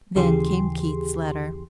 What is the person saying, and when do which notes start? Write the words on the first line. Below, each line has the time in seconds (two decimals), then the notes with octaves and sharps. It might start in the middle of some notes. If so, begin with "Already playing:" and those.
Then came Keith's letter.
0.15 D#2 C#3 E3 G4 G#4 C6